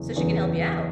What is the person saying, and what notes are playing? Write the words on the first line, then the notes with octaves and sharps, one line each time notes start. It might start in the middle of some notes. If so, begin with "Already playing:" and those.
So, she can help ya out.
Already playing: F#1 E2 C#3 E3
F#1 E2 C#3 E3